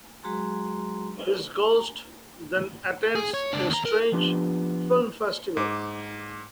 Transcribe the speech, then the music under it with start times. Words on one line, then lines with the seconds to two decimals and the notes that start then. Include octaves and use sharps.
His ghost then attends a strange film festival.
0.24 F#3 G#3 F#4 G#4 A#5 C6
3.15 G#4
3.34 C#5
3.53 C#2 D4
3.70 D#2 A#5
3.85 A#4
4.12 F3 B3 D4 F4 G4
5.57 G#2 D6